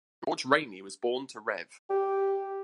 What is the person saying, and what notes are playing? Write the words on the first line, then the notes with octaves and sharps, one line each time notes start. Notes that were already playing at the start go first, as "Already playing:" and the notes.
George Rainy was born to Rev.
G4